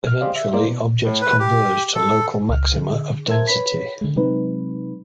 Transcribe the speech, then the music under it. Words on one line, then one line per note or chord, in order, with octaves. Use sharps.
Eventually, objects converge to local maxima of density.
F6
G4 G#4 C5 D5 D#5 F5
E5
F#3 A#3 E4 C5 D5
B2
A2
B4
G4
A4
C#2 F6
D3 G#4
A#4 C5 E5 A5 G#6
B4 C#5 B5 B6
D3 G#3
C3 F#3 G#3 C4 D#4 B4